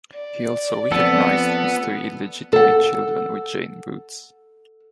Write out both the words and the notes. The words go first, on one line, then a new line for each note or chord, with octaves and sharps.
He also recognised his three illegitimate children with Jane Woods.
D5
F3 B3 C4 A4
A4 F#5